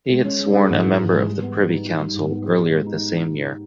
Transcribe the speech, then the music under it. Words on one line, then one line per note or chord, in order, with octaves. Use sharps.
He had sworn a member of the Privy Council earlier the same year.
G#3
C#4
G#3
G#4
G#2
E3
G#2
G#3
G3
B3
G3
D#4
D#4
G3
G#2
B3
G4
B3
G#3
D#4